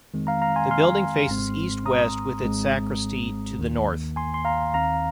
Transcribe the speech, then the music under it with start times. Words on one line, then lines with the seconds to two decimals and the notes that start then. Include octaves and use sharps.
The building faces east–west with its sacristy to the north.
0.14 F2 D#3 G#3 C4
0.27 F5 A#5
0.42 F5 A#5
0.56 G#5 C6
0.71 C6 F6
1.28 G#1 G#2 G#3 C4
1.86 A#5 D#6
2.43 G#1 G#2 G#3 C4
3.59 D#2 D#3 A#3
4.16 G#5 C6
4.34 C6
4.45 F5 A#5
4.74 D#2 D#3 C4 F5 A#5